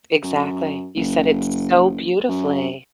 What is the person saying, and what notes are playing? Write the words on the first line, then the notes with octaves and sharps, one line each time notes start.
Exactly. You said it so beautifully.
F#2
F#1
F#2